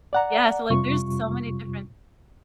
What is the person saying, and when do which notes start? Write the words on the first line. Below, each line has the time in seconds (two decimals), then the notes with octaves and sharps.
Yeah so, like, there's so many different
0.13 D5 F#5 A#5
0.70 F2 C3 G3 F4 C#6